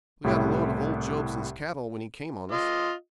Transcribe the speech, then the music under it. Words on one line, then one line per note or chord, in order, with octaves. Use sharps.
We got a lot of old Jobson's cattle when he came on us.
C2 A2 E4 G4
F4 D#5